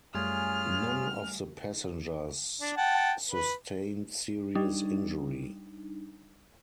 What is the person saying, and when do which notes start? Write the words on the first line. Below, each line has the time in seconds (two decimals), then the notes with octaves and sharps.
None of the passengers sustained serious injury.
0.15 F#2 G3 A3 C#4 F4 G#4 G#5 F6
2.61 D4
2.77 F#5 G5 A5
3.31 B4
4.55 G3 D4 D#4